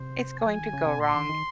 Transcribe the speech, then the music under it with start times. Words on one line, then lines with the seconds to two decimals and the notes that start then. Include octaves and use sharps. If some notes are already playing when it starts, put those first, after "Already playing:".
it's going to go wrong,
Already playing: C3 C5
0.39 G#5
0.46 F3
0.61 D#3
0.73 C#3
0.86 C3
0.99 A#2 C6
1.15 D#3
1.29 D#3